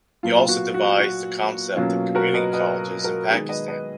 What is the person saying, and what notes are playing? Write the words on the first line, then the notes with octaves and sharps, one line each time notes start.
He also devised the concept of community colleges in Pakistan.
A#2 F#3 B3 F4
F#4
F#4
F#4
B2 F#3 A#3 C#4 F4
F#4 A#4
B4 D#5
B4 D#5
F#4 A#4
D#3 G#3 B3 G#4 B4
B4 D#5
B4 D#5